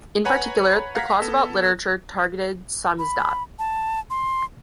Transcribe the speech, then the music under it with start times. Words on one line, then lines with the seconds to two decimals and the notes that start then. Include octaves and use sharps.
In particular, the clause about literature targeted "samizdat".
0.25 B4 C#5 F#5 G#5 A#5 B5
0.95 F5 F#5 A#5 G#6 A#6 B6
1.22 B3 A4
2.99 B5
3.59 A5
4.10 C6